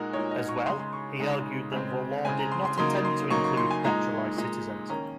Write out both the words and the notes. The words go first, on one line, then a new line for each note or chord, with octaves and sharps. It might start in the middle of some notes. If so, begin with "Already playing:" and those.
As well, he argued that the law did not intend to include naturalized citizens.
Already playing: A#2 G#3 D#4 F#4 A#4
A#2 G#3 D#4 C#5
D#5
C#6
C#3 G#3 D#4 C6
C6
C#6
C#3 G#3 D#4
C#3 G#3 C4
C#3 G#3 C4 G#5
A#5
C6
C6
C#3 F#3 A#3 D#4 C6
C6
C#3 F#3 A#3 D#4 C#6
C#6
C6
G#5
A#2 G#3 D#4 A#5
A#2 G#3 D#4
D#3 A#3 C#4 A#5